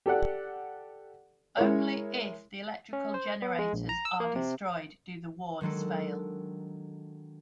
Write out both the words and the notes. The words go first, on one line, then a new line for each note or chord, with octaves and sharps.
Only if the electrical generators are destroyed do the wards fail.
G4 A4 D5 F#5
G#3 E4 A#4 C#5
C#4
C5
B3
G#3
A#1
A#5
E6
A#3
C3
D#3 F#3 G#3 D4 A4